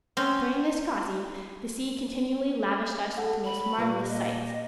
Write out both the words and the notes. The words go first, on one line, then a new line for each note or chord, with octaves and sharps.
During this crossing, the sea continually lavished us with the most marvelous sights.
C4 C#4
A4 F#5
B5
A#2 B4
D#5